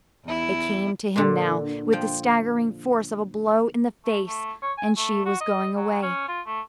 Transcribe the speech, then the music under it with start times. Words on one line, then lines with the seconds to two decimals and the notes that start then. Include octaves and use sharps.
It came to him now with the staggering force of a blow in the face--and she was going away.
0.24 E2 E4
1.16 A#2 D3
1.93 F3 G5
4.05 A3
4.27 A3
4.62 C#5
4.78 G#5
4.97 A3
5.25 F#4
5.41 D#5
5.76 F#3
6.02 C#4
6.28 F4
6.46 A3